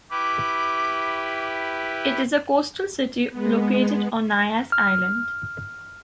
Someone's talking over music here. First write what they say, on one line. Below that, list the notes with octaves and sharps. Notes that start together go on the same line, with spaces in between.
It is a coastal city located on Nias island.
E4 G4 B4 D6
G#3 B3
F6